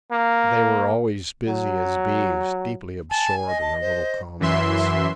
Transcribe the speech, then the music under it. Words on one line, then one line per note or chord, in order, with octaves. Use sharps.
They were always busy as bees, deeply absorbed in their little combats.
A#3
F#3
G#5 A5
D#5
A5
C5
F#2 E3 E5 C6